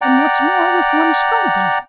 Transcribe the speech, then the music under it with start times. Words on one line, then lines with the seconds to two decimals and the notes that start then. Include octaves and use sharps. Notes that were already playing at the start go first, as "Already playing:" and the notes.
And what's more,--with one scull gone.
0.01 D5 F#5 G5 A#5